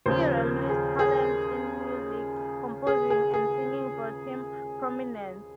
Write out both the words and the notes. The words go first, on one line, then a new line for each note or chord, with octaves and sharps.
P. Ramlee's talents in music composing and singing brought him prominence.
D#2 C#3 F3 C5
A#4
G#4
G#4
G#4
G#4
G#4